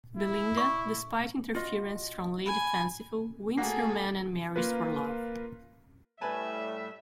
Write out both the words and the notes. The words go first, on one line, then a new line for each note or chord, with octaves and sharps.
Belinda, despite interference from Lady Fanciful, wins her man and marries for love.
E4
C#6
F4 F#4 D#5
G#5 B5
A3 A#3 F#4 G#4 A4
A#3 F4 A#4 B4
A2 G3 A3 B4 E5 G#5 A5